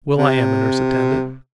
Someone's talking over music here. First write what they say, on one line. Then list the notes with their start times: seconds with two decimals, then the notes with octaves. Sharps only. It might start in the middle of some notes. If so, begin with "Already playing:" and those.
Well, I am a nurse-attendant.
0.18 C3